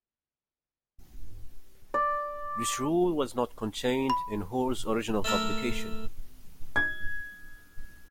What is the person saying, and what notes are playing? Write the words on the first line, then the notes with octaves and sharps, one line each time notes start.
This rule was not contained in Hoare's original publication.
D5
B5
A3 A4 A#4 E5
G#6